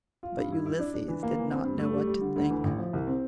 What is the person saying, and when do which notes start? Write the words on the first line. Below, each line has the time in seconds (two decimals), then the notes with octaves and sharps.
But Ulysses did not know what to think.
0.23 F4
0.38 G2
0.52 E4
0.66 E4
0.79 D4
0.94 D4
1.08 E3
1.23 A#3
1.37 E3
1.51 C4
1.65 G2
1.79 A3
1.94 G3
2.07 G3
2.21 D3
2.36 D2
2.50 E3
2.64 A1
2.79 F3
2.93 C2
3.07 C4